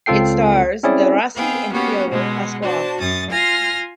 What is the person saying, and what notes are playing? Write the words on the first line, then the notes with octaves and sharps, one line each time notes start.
It stars de Rossi and Piolo Pascual.
C#2 C4 F4 A4 G5 C7
C4 C#4 E4 G#4 D5
B3 C4 G#4 F5 G5
A#3 B3 C#4 F#4 G4
B2 G#3 F#5
D4 F#4 C5 A5
F#2 C#4 D#6 A6
F4 G#5 C6 F6 A#6